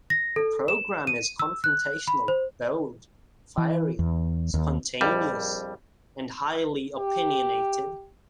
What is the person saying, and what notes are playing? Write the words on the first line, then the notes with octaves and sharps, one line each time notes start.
The program is confrontational, bold, fiery, spontaneous, and highly opinionated.
A#6
A4
E7
D#7
E6
F#6
B5
C5
E3
E2
D#2
A#1 F2 G3
G4